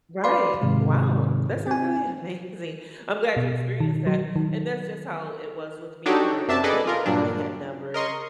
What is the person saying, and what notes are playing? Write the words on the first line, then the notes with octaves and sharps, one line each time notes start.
Right. Wow. That sounds really amazing. I'm glad you experienced that, and that's just how it was with me for an island. I had never
B4 D5 F5 B5 C6
G#2 C3 D#3 G#3
C4 G#5
B2
D#3
F#3
D#3
D4 D#4 F#4 G4 A4 C#5
F#2 C3 D4 E5 A5
G#4 A4 B4 D5 D#5
F4 A#4
G2 A#2 F#3 D4
A#4 D#5 C6 C#6